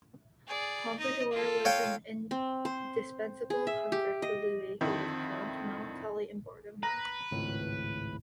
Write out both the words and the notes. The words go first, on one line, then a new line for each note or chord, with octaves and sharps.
Pompadour was an indispensable comfort to Louis who was prone to melancholy and boredom.
G#4 D5
D#4 D#5
F4 A4
C#5 F5 G5
C4
C5
G#4
E5
G4
D#5
F2 D3 D#3 E4
B4 A#5
G#1 C#2 A2